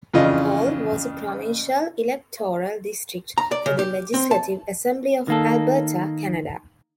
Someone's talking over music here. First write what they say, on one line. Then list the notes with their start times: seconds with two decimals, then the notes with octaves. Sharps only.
Paul was a provincial electoral district for the Legislative Assembly of Alberta, Canada.
0.14 F2 C#3 E3 D4 F4 D#5
3.38 A#5
3.51 D5
3.66 C#3
3.79 G4
4.14 C4
4.31 A5
5.28 D#3 A#3 A4